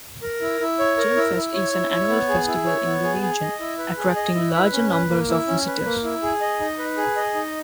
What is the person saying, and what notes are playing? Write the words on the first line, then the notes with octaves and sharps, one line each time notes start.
GemFest is an annual festival in the region, attracting large numbers of visitors.
A#4
E4
E4
C#5
A#4
E4
E4
C#5
E4
C#5
B3
G#4
E4
C#5
B3
G#4
G#4
D#5
E4
B4
G#4
D#5
E4
B4
C#4
B4
A#3
E4
C#4
B4
A#3
E4
G#4
D#5
D#4
B4
G#4
D#5
D#4